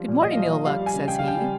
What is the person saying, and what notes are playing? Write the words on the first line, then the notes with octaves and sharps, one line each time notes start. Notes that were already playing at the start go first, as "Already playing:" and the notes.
"Good-morning, Ill-Luck," says he.
Already playing: F3 G3
A#2
A#2 D#5
F3 F5
D#5
F3
G3 F5
G3
G#5
C#3
C#3 G5
G3 F5
G5
G3